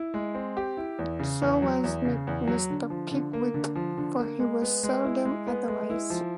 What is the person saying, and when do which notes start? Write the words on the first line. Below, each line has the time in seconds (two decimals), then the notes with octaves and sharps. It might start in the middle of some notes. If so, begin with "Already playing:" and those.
So was Mr. Pickwick, for he was seldom otherwise.
Already playing: E4
0.14 G#3
0.35 C4
0.57 G4
0.77 E4
0.99 E2
1.19 C#3
1.42 E2
1.62 F#3
1.84 E2
2.05 C#3
2.27 E2
2.47 F#3
2.70 D3
2.90 F3
3.11 D3
3.33 A#3
3.54 D3
3.75 F3
3.97 D3
4.18 A#3
4.39 G#3
4.62 B3
4.83 G#3
5.04 E4
5.25 G#3
5.47 B3
5.68 G#3
5.90 E4
6.10 F3